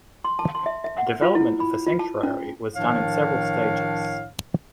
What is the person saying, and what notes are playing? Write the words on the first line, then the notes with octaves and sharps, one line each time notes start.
The development of the Sanctuary was done in several stages.
C6
A5
C6
E5
E5
F#5
F4
E4
B5
F4
A5
C#4
A2 D#3 F3 D4 C#5 F5